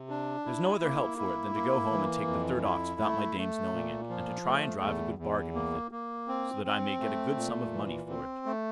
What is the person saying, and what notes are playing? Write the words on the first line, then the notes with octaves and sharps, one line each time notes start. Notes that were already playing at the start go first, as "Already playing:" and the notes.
'There's no other help for it than to go home and take the third ox without my dame's knowing it, and to try and drive a good bargain with it, so that I may get a good sum of money for it.'
Already playing: C3
D4
E4
A#3
E4
A#3
E3
F2
E4
A3
A3
A#2
F3
A3
E2
E2
A#3
A#3
C4
C4
A3
A#2
E3
C4
A3